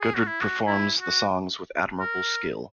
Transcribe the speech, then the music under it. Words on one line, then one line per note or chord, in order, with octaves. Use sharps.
Gudrid performs the songs with admirable skill.
G#4
F#4
E4
F#4
E4
F#4
A#4